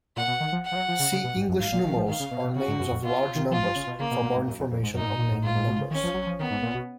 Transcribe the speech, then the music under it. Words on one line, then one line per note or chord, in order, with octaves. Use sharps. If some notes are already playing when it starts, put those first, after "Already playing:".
See English numerals or names of large numbers for more information on naming numbers.
A#2 F#5
B2
D#3
F3
F#5
F3
F#3
F3
C#3
C#3
B2
G#2
F#2
G#2 F5
A#2
D#3
F3
D#3 F5
C#3
B2
B2
C#3 F#4
G#2
F#2
F2
B2 F4
D#3
F3 F4
F3
C#3
B2
C#3 A#3
B2
A#2
G#2
F#2
F2
F2
G#2
F#2 D#4
A#2
G#2
A#2
G#2
G#2 F4
G#2
B2
C#3
D#3 C#4
F3
F#3
F3
D#3 B3
G#2
A#2
B2